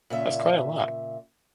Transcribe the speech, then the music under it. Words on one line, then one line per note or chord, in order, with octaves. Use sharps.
That's quite a lot.
A#2 C#3 E5